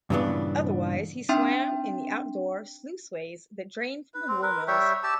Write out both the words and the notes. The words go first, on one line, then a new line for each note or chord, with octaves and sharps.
Otherwise, he swam in the outdoor sluiceways that drained from the wool mills.
G2 A#2 C#3 E3 B3 D4
C4 D4 D#4 E5 G5 C6
B4
C4
A#4 B4
G3 C#5 E5 G5
G4 A5 E6